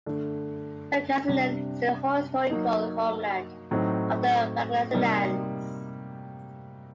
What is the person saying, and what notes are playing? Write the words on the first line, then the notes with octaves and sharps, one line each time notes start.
Pangasinan is the historical homeland of the Pangasinans.
D3 A3 D4
C3 G3 D4
F#3 A#3 D#4
A2 F#3 C4 D#4
C3 G3 A#3 D#4